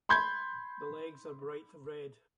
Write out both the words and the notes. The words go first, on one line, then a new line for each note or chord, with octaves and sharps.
The legs are bright red.
B5 C6 G6 G#6